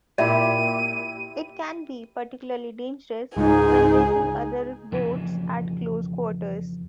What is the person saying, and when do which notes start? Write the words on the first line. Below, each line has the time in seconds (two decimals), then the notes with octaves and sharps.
It can be particularly dangerous when racing other boats at close quarters.
0.18 A#2 E4 G4 D5 E5 D#7
3.37 C#2 G#2 D#4 G#4
4.92 F2 C#3 E3